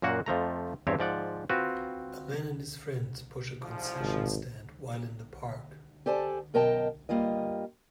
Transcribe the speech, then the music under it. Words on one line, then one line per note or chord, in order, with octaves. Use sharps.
A man and his friend push a concession stand while in the park.
F#2 A#2 A#3 F#4 F#5
F2 F3 A3 A#5
E2 G2 C4 G4 C#5
G#2 F3 D5 F#5
C4 F4 F#4 B4
C2 G#2 F3
G#1
G4 A4 C5 D5 G#5 A5
F#2 B2 A#4 D#5 G5 A5
G2 D#3 G3 A#3 F4 D#5